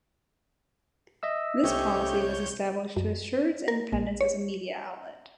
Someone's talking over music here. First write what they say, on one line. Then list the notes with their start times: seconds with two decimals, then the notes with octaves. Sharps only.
This policy was established to assure its independence as a media outlet.
1.23 D#5 E5 E6
1.64 C2 A3 C4 C#4 G4 C#5 G6
2.96 F#2
3.68 A#4
3.92 A#1
4.21 C#5